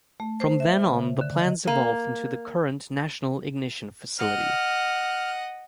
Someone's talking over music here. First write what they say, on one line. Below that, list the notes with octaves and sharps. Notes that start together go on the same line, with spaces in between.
From then on the plans evolved into the current National Ignition Facility.
A3
C5
E5
C#3
D3
D#5
A#3
D#5 F#5 F6